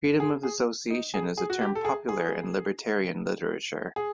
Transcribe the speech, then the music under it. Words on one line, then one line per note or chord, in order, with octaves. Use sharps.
Freedom of association is a term popular in libertarian literature.
G#4
G#4
D#4
G#4
G#4
F#4
G4
A4
G#4
G#4
G#4